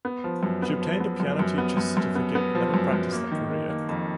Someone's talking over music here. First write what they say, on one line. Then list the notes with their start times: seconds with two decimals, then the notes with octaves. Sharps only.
She obtained a piano teacher's certificate but never practiced that career.
0.05 B3
0.24 F3
0.43 F#2
0.62 B3
0.82 F3
1.00 B3
1.20 F#2
1.39 F#2
1.58 B3
1.77 F#2
1.97 F#2
2.15 B3
2.35 B3
2.55 F3
2.74 F#2
2.93 F#2
3.12 A#3
3.31 D#3
3.50 D#3
3.69 A#3
3.89 F2